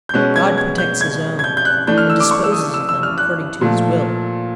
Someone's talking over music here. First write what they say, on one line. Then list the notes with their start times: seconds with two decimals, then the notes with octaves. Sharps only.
God protects his own, and disposes of them according to his will.
0.09 G6
0.14 B2 G#3 C#4 F#6
0.36 G#6
0.58 G#6
0.78 G6
1.01 G#6
1.39 G#6
1.44 G6
1.57 G6
1.65 F#6
1.87 E3 A3 D4 G6
1.98 F6
2.10 E6
2.20 D6
2.31 C#6
2.44 E6
2.52 D#6
2.74 E6
2.89 E6
3.03 F6
3.18 F#6
3.61 A#2 F3 A3